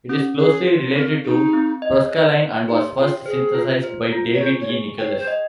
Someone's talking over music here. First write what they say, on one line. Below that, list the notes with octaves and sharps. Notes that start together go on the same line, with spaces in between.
It is closely related to proscaline and was first synthesized by David E. Nichols.
C#4 G4
G#4 C#5
G4
C4 A#4
D#4 G#4
C4
D#5
C#5
C#5
D#4 G4
F4 G5
G#4 C5
F4
C5
F4
C#5
G#4 C5
C#5
G#4
C#5 G5
C5
D#5